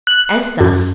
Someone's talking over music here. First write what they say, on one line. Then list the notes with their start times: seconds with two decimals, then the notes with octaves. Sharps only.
As thus.
0.07 F#6
0.61 F#2